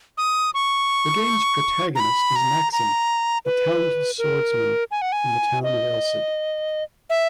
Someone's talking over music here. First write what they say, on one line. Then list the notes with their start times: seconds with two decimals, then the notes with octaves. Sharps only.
The game's protagonist is Maxim, a talented swordsman from the town of Elcid.
0.18 D#6
0.54 C#6
1.95 A#5
2.00 B5
2.36 A#5
2.73 A#5
3.45 B4
4.18 A#4
4.91 G#5
5.02 F#5
5.12 G#5
5.64 D#5
7.10 E5